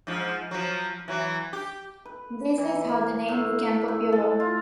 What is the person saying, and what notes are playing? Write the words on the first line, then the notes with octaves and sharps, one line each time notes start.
This is how the name became popular.
G#2 F3
F3 F#3
E3 F#3
G4
B4
E3
A#3
A2
A2
A4
F4